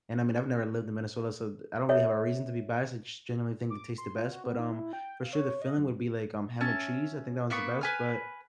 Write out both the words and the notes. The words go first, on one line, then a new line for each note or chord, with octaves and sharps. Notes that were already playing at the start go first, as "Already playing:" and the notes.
and, I mean, I've never lived in Minnesota, so th I don't really have a reason to be biased, I just generally think they taste the best, but, um, for sure, the filling would be like, um, ham and cheese, I think that one's the best, but
A4 C#5 E5
D6
C6
F4
F#4
B3
D#4
E4
G5
F5
C#5
D#5
F#2
C#4 E5 A5
A#3 B3 B5 C#6
B4 G#5 F6